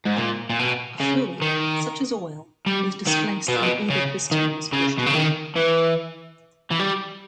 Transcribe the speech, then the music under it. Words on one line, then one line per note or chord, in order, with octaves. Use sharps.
A fluid, such as oil, is displaced when either piston is pushed inward.
G#2
A#2
A#2
B2
C#3
D#3
G3
D#3
B2
A#2
B2
C#3
D#3
C#3
B2
C#3
D#3
E3
E3
G3